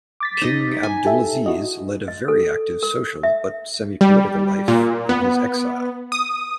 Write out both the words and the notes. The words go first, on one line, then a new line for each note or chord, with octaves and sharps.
King Abdulaziz led a very active social, but semi-political life in his exile.
D6 A6 B6
D#4 D#5
G#5
G4 A4 E5
E4 F#4 D#5
D#5
A4
A#4
E5
G3
A#2
B3
D#6